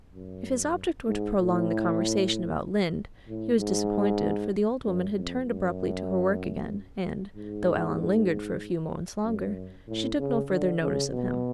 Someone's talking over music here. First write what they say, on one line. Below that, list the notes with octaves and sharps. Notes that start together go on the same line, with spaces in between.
If his object were to prolong the conversation about Lynde, he was disappointed, for the old woman had turned abruptly to her work again and, though Alan lingered for a few moments longer, she took no further notice of him.
F#2
G#2
A2
A2
G#2
F#2
F2
F#2
G#2
F#2
A2
C#3
D3
C#3
B2